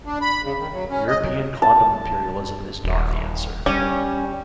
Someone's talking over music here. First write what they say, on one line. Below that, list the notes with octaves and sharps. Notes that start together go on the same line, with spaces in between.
European condom imperialism is not the answer.
D4
B5
C#3
D#3
F#3
C#4
D#5
F#3
A5
D#1
G3 C#4